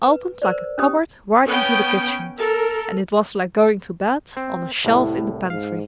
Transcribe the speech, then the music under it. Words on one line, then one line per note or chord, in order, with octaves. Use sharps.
It opened like a cupboard right into the kitchen, and it was like going to bed on a shelf in the pantry.
B4
A#4 C5 D5
C#4 D4 G4 D#6
B3 C#4 G5
A4 A#4
C4
C2 A2 E4
G#2 F5